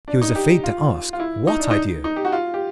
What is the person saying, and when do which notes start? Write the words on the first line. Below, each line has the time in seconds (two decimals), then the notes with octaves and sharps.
He was afraid to ask what idea.
0.08 D4
0.22 D#4
0.35 G4
0.64 F4
1.13 F4
1.20 E4
1.47 D#4
1.60 D4
1.71 D#4
2.04 D#4
2.16 G4
2.25 F#4
2.32 F4
2.54 G4